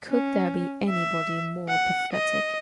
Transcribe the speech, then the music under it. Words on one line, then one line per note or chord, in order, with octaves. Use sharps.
Could there be anybody more pathetic?
C#4
E5
F#5
D#5